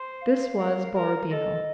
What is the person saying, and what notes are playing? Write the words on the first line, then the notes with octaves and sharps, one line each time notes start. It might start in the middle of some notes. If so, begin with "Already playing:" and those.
This was Borodino.
Already playing: C5
F5
A#4
A#4
A4 D#5